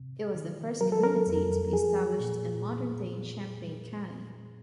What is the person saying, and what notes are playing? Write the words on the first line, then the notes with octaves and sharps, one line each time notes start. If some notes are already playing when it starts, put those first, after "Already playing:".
It was the first community to be established in modern-day Champaign County.
Already playing: C3
D#3
F#3 A#4
A4
A#4
F2
F3 G#4
A#2